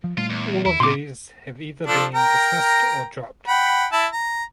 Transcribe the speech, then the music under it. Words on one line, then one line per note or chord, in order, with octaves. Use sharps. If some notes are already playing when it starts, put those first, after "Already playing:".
All of these have either been dismissed or dropped.
F3
A#2 G3 A3 F4
E2
E2 E4
C2 A#2 C#3 C4 C6 D6
F3 D4 A4
A#4 G5 A#5
F#5 G5 B5
E4 A5
A#5